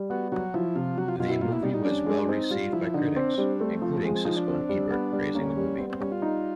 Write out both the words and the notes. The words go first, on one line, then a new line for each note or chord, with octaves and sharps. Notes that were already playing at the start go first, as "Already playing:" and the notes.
The movie was well received by critics, including Siskel and Ebert praising the movie.
Already playing: G3
B3 F#4
F#3 F#4
F3 E4
C3 F4
F#3 F#4
F4
B2 F4
E4
A#3 F4
E4
G3 D#4
D#4
C#4 D4
G#3
C4 D#4
G3 F4
F3 E4
D3 D#4
C4 D4
G3 D4
A3 C4
F3
G#3 C4
C4
F3 D#4
D4
C4
G3
B3
G3
A#3 C#4
G3
B3 C4
C4
G3 C#4
F4
D#4